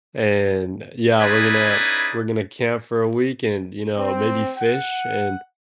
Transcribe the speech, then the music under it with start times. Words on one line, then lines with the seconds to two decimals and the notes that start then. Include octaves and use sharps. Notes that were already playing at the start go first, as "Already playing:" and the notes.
and Yeah, we're gonna we're gonna camp for a week, and, you know, maybe fish, and
1.20 C#4 D#4 E4 G#4 B4 D5
3.97 C4
4.58 F#5